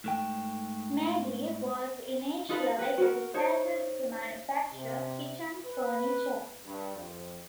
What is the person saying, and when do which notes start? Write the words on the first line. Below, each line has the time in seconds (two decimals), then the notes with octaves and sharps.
Mabe was initially dedicated to manufacture kitchen furniture.
0.04 G#2 A3 G5
2.49 D#4 F4 A4 B4
2.78 B4 G5
2.98 F#4 A#4
3.34 D#4 C5 C#5
4.74 C3
5.65 B4
6.65 G2
6.96 F2